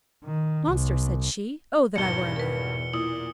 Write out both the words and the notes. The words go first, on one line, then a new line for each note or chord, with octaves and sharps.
"Monster!" said she; "oh! that I were a man!"
D#3
C2
G#1 E2 G2 B2 C#7 G7
A#4 B4
A#2 E4 D#6